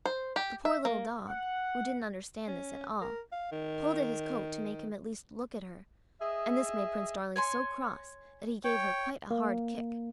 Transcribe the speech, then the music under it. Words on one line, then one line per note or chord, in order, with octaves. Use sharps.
The poor little dog, who didn't understand this at all, pulled at his coat to make him at least look at her, and this made Prince Darling so cross that he gave her quite a hard kick.
C5
G4
E5
A#3
F#5
C#4
A#4
F5
D#3
G#4 D#5 E5
C#5 G#5 C6
C#5 G5
A#3